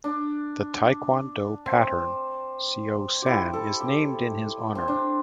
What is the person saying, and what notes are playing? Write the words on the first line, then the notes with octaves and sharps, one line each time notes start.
The Taekwon-Do pattern Seo-San is named in his honor.
D4
C4
E4 G4
A4
G4
C4
D4